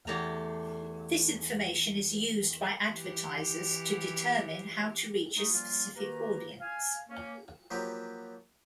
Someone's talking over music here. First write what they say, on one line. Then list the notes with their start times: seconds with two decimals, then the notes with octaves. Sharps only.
This information is used by advertisers to determine how to reach a specific audience.
0.07 E2 A3 G4 A4 A#5
2.89 E3 G4
5.36 A3 D#4
5.52 F3 G3 A#3 C#4 F4
5.96 D#3 A#3 G4 B4 A#5
6.60 F5 G#5
7.08 A#3 C#4
7.71 F3 F#3 A#3 G4 B4 C5